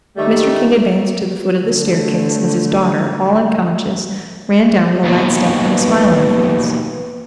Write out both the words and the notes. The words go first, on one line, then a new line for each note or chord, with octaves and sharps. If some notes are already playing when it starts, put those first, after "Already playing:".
Mr. King advanced to the foot of the staircase as his daughter, all unconscious, ran down with a light step, and a smile on her face.
D#3 G3 A3
D3 A3
D#2 B2
B4